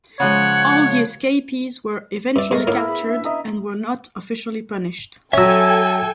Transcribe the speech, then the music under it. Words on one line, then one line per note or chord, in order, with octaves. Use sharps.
All the escapees were eventually captured and were not officially punished.
C#3 F3 G#3 C#5 F#5
G2 D5 E5
G2 G#3 A3 A4 A#4
A2 A#3 B3 E4
G#4 B5
C#4 D4 E5
D#5 A#5
F#3 C#4 A4 E5 G5 G#5 E6